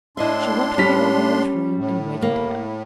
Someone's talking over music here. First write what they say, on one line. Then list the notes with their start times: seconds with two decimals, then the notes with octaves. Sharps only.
She went to the old man's room and wakened him.
0.17 A2 D4 E4 D#5 E5 C6
0.78 G3 C#4 B6
1.77 A2
2.22 A#3